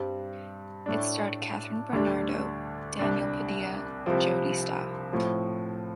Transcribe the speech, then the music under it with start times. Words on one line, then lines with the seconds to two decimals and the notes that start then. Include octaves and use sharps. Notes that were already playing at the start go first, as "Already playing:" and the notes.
It starred Kathryn Bernardo, Daniel Padilla, Jodi Sta.
Already playing: G2 G3 C4
0.86 A2 A3 D4
1.93 D2 D3 G3 D4
2.99 C2 C3 G3 D4
4.06 C2 C3 F3 C4
5.13 A2 F3 C4